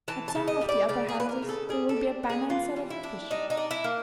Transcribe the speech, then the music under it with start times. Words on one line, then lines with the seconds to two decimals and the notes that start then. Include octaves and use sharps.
At some of the other houses there will be a banner instead of a fish.
0.08 E3 A5
0.28 A5
0.35 C#3
0.48 D#5
0.61 G3
0.69 D5
0.89 C#3 D5
1.09 G#4
1.15 E3 B4
1.29 A#4
1.42 C#3
1.49 A4
1.69 G3 G#4
1.89 A4
1.96 D4
2.23 B3
2.30 G#4
2.49 E3 F4
2.76 G3
2.90 E4
3.03 D4
3.30 G3 D#4
3.50 D#4
3.57 D4
3.71 E4
3.84 A#3